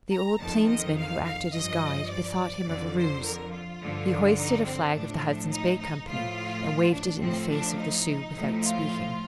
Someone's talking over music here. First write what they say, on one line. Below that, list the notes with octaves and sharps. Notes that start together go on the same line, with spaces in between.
The old plainsman who acted as guide bethought him of a ruse: he hoisted a flag of the Hudson's Bay Company and waved it in the face of the Sioux without speaking.
A#5
F2 D#3 A5
D#5
F5
F5
G2 F3 D#5
D5
F2 D3 F3
C5
A#4
F4
G2 D3 F3
D#4
C4
A2 F3 D4
D#4
D#4
A2 F3 F4
D4
A2 F3 C4
D4
D#4
A2 F3
F4